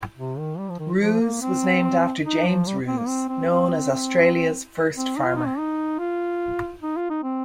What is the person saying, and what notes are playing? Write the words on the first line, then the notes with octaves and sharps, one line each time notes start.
Ruse was named after James Ruse, known as Australia's first farmer.
C3
D#3
G3
F3
D#3
F3
A#3
C4
D#4
F3
G3
C4
A#3
C4
C4
C4
C4
D#4
F4
D#4
C4
D#4
F4
D#4
F4
D#4
C4